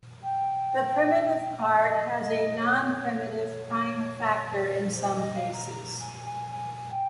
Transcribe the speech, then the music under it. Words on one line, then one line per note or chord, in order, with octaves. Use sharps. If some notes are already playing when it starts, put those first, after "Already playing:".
The primitive part has a non-primitive prime factor in some cases.
G5
D#5
D#5
C#5
C#5
C5
D#5
F5
A#5
A#5
G#5
G#5
G#5
G5